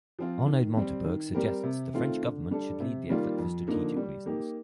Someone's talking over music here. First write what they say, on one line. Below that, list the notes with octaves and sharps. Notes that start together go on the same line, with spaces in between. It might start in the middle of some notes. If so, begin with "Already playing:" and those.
Arnaud Montebourg suggests the French government should lead the effort for strategic reasons.
F3 C4 F4
D#3
G3 C4
D#3
G3 C4 G4 A#4
C3
D#3 A3 C4 F4
D3
G3 D4 A4
C3
D#3 G3 A#3 F4
F2
D3 F3 A#3 D#4
G3
A#3 D#4 G4